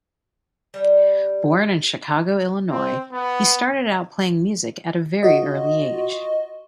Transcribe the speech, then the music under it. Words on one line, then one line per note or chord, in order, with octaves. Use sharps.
Born in Chicago, Illinois, he started out playing music at a very early age.
G3
C4
B3
F4 F#4 D#5